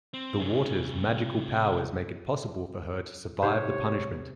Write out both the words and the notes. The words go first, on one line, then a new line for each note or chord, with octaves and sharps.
The water's magical powers make it possible for her to survive the punishment.
C4
C3 G#4
G#2 C3 C5 C#5